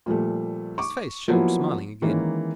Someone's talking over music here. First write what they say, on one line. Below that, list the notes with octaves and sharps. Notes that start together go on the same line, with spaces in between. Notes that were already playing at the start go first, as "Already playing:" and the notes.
His face showed smiling again.
A#2 F3 G3 A3
C#6 D6
F3 F#3 A#3 B3 E4
D#3 E3 G#3 A#3 C#4